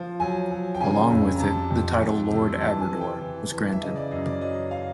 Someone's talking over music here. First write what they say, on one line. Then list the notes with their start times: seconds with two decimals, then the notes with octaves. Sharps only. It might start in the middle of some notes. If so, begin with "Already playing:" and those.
Along with it, the title Lord Aberdour was granted.
Already playing: F3
0.20 F#3 G#5
0.51 F#3
0.75 G5
0.80 C#3 G#5
1.11 F2
1.36 A#5
1.40 C3 A5
1.70 F2
2.01 F2
2.31 C3
2.61 E3 A5
2.81 G#5
2.91 E3
3.01 G5
3.21 E3
3.51 E3
3.73 E5
3.81 C#3 D#5
3.96 D5
4.11 F#2 D#5
4.26 D5
4.41 F#3 D#5
4.71 F5